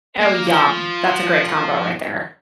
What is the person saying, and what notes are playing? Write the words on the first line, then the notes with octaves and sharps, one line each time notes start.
Oh, yum. That's a great combo right there.
A#3
F3